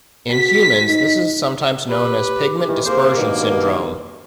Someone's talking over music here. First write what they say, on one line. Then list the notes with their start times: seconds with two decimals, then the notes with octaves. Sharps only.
In humans, this is sometimes known as pigment dispersion syndrome.
0.32 F#4 B6
0.88 D#4
1.89 G4 B4
2.68 D#3 E3
2.85 C2 A#3 G#4 C5
3.17 G2 B2 D#3